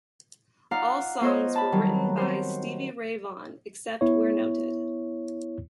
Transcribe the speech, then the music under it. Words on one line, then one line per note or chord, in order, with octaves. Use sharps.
All songs were written by Stevie Ray Vaughan except where noted.
D#4 F4 D5 F5 F#5 A#5
B3 F4 C5 C#5 D#5
A5 B5
D#3 F#3 G3
C4 F#4 C5
B3 E4 C#5